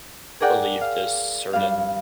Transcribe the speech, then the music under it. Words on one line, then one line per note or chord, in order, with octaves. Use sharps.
believe this certain
G#4 A#4 D5 F#5 G5
F5
G2 F5